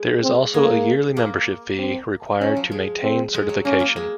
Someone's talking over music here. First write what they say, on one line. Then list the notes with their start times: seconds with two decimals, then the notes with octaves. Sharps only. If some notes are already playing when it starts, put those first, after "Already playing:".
There is also a yearly membership fee required to maintain certification.
Already playing: G#3
0.24 C4
0.54 G#3 A#3
1.17 A#3
1.79 C4
2.41 F#3 C#4
2.57 F3
2.72 G#3
3.03 C4
3.34 G#3
3.49 F#3
3.65 A#3 C#4
3.80 A#3
3.96 G#3